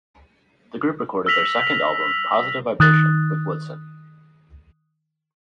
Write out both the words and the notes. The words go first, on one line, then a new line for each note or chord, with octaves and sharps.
The group recorded their second album "Positive Vibration", with Woodson.
E6 F6 A#6 B6 F7 F#7
D#3 D#6 F#6 A6